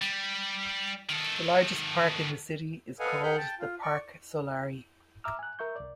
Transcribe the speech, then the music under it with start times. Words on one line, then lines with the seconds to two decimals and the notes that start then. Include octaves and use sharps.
The largest park in the city is called the Parque Solari.
0.02 G3
1.09 D#3 A4
3.00 A4 B4 D#5 F5 F#5 G#5
3.22 G#4 F#5 B5 F6 G6
3.37 G5 A5
3.60 F4
3.82 D5 C#6
5.24 E5 A#5 D6 E6 F6
5.39 G#5 F#6
5.59 A#4 E5 C#6 G6
5.76 C2 D5